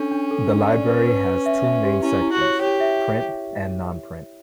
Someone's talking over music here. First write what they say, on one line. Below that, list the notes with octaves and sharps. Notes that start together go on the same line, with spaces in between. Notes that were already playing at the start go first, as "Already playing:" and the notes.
The library has two main sections, print and non-print.
Already playing: C#4 D4 A4
D4
A4
D4
D5
B4
B4
B4
E5
E5
G4
C#4 E4
E4
F#4
C#5
G4 C#5
E5